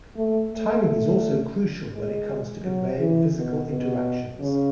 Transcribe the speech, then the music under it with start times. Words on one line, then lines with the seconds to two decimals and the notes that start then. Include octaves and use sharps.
Timing is also crucial when it comes to conveying physical interactions.
0.16 A3
0.52 A3
1.93 G#3
2.63 F#3
2.98 E3
3.35 B2
3.69 B2
4.40 C#3